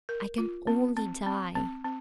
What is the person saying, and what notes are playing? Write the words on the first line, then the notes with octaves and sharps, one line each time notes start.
"I can only die."
A#4
F4
C4
C4
C4
C4
C4